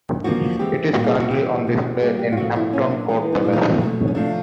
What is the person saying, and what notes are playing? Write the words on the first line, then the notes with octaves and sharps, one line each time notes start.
It is currently on display in Hampton Court Palace.
D3 F3 A#3 F#4
E3 G#3 C4 G4
A#2 G3 A#3 F#4
G#4
F#4
E3 G3 C4 G4
B2 G#3 C4
D#3 G3 A#3 G#4
G4
F4
A2 F3 A3 C4 F#4
E4
A#2 F#3 A#3 C#4
D4
E3 G#3 B3 D#4
D#4
A#2 F3 A3 D4
D#4
B2 F#3 A3
C#4
C3 F3 A3 D4